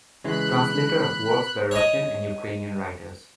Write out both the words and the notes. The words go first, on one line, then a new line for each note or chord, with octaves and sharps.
Translator of works by Russian and Ukrainian writers.
C#3 E3 G#3 B5 F#6
C#5 D#5